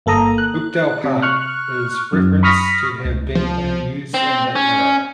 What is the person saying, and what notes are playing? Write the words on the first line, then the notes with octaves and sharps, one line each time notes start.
Oakdale Park is referenced to have been in use in the era.
G1 A#3 A4 A#5 D#6
F#6
C3
C#6 F6 F#6
F#2
B5 C#6 D#6 F6 A#6 B6
C#2
F3
C4
C#4